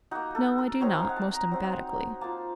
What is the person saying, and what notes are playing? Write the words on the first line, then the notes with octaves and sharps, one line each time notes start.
No, I do not, most emphatically.
A#3 D#4 F#4
A4
A#4
F#3 C4 D#4 C#5
F5
F#5
A5
A#5
F#3 C4 D#4
A#3 F4 A5